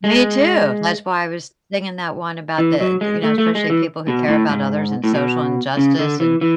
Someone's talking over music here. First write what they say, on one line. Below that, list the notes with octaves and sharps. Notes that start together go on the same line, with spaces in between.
Me too, that's why I was thinking that one about the, th you know, especially people who care about others and social injustice and
G#3
E3
F#3
G#3
A3
A3
G#3
E3
B2
A2
G#2
A2
B2
C#3
D3
E3
E3